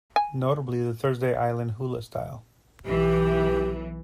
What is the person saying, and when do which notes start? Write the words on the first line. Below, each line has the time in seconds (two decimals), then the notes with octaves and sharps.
Notably the Thursday Island 'hula' style.
0.16 G#5
2.85 B1 E3 G4